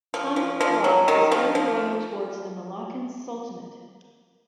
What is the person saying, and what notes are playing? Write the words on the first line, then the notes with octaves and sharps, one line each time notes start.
Tun Perak was very loyal towards the Malaccan Sultanate.
F3
F3
F3
F#3
D#3
F3
F3